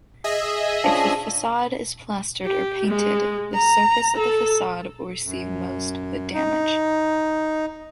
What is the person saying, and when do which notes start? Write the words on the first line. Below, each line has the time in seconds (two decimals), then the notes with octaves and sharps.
If the facade is plastered or painted, the surface of the facade will receive most of the damage.
0.24 G#4 D#5 E5
0.84 F3 C#4 D4
2.45 G4
2.88 G#3
3.54 A#5
4.17 A4
5.23 F#2
6.34 D#4